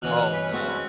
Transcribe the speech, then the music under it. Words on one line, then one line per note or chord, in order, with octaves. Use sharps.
Oh, no.
B2 E3 C#4 F6 F#6
B4
G#3 C4 C#4 F#4